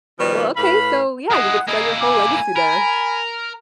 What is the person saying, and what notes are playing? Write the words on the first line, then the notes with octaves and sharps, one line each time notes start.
Well, okay, so, yeah, you could start your whole legacy there.
B2 D#3 F3 G3 B3
A2 B4 F5 B5
G#3 E4 F#5 D#6
A#3 E4 G#4 D#5
G#5 D6
A#4 B5